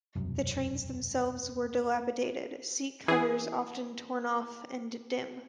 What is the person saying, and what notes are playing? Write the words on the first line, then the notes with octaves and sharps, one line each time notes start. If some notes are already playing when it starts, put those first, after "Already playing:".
The trains themselves were dilapidated, seat covers often torn off, and dim.
E1 C2 F#2
E3 G#4